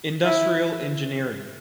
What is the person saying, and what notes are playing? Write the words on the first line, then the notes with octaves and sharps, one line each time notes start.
Industrial Engineering.
E4